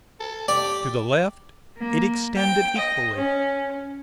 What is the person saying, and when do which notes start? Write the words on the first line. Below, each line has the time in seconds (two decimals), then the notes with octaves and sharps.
To the left, it extended equally.
0.20 A4
0.48 G4 D5
1.79 A#3
2.36 G5
2.79 D#5
3.15 C#4